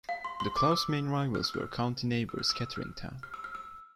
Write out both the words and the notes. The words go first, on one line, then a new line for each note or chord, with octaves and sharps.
The club's main rivals were county neighbours Kettering Town.
F5
C6
C6
D6
E6
F6
E6
F6
E6
F6
E6
E6
F6
F6
E6
F6
E6